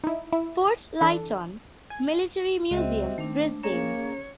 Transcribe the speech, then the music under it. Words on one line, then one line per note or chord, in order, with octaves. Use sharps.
Fort Lytton Military Museum, Brisbane.
D#4 E4
E4
E3 D4 A4
G#5
C#2 G#3 C4 F#4 D#5 E5
D#3 A3 D4
A#3 C#4 G#4 C#5 A#5